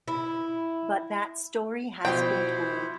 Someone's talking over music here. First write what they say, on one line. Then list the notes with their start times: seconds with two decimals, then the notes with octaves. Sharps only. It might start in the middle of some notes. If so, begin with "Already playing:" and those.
But that story has been told.
0.08 E4
2.05 B2 F3 E4 C5 F5 G5 B5 C6